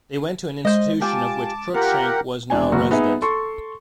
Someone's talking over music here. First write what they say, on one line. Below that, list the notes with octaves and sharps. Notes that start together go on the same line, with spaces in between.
They went to an institution of which Crookshank was now a resident.
G#3 C5 D#5
F4 G4 G#5 A5 D6
F4 G4 A#4 F#5
E1 D4 G#5
F#1 F#4
B3 D#4 G#4 E5
A4 C6 C#6